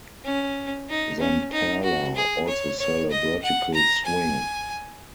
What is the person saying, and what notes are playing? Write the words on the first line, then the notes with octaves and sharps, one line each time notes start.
Zamperla also sell a Vertical Swing.
C#4
D#4
C#4
D#4
F#4
G#4
C#5
C#5
D#5
F#5
A#5
G#5